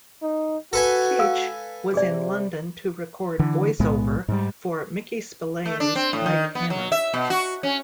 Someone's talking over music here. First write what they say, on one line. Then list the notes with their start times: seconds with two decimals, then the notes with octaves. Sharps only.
Keach was in London to record voiceover for "Mickey Spillane's Mike Hammer".
0.22 D#4
0.73 F#4 A4 B4 G#5
1.19 F5 E6
1.94 C3 G#4 D5
3.39 D3 E3
3.79 B1 A2 G#3 B3
4.28 G#2 G3
5.65 A3
5.80 D4
5.96 C4
6.13 A2
6.26 D#3
6.55 B3
6.70 F#3
6.92 E5
7.14 B2
7.30 F#4
7.63 C#4